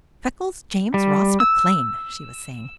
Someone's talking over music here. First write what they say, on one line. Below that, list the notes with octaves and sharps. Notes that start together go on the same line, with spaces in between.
"Freckles James Ross McLean!" she was saying.
G3
E6